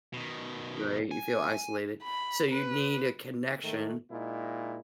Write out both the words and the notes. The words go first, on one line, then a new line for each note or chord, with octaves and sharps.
right, you feel isolated. So you need a connection.
B2 D#3
G#5
B5
B4
G#2 D#3 A3
A#2 G#3 D#4 E4